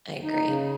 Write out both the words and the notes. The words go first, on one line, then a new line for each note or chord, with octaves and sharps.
I agree.
D#4
C#3